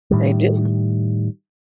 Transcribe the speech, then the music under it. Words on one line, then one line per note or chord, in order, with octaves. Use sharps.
They do.
A2 D#3 G3